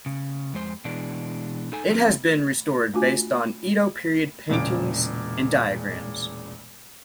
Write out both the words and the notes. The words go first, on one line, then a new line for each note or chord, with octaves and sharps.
It has been restored based on Edo-period paintings and diagrams.
C#3
F2 G#3 C5
B2 E3 G#3 D4
D#4 A4 G#5
F3 A#3 C4 C#4 F4
A3 D4 F4 F#4 G#5
E1 A#2 C#3 D7